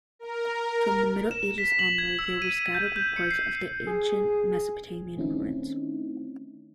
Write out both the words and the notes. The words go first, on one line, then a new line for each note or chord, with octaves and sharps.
From the Middle Ages onward, there were scattered reports of ancient Mesopotamian ruins.
A#4
E7
B6
F#7
G#6
E6
D#7
G6
G6
C#7
C7
G#4
D#3 A3 C4 C#4 D#4 E4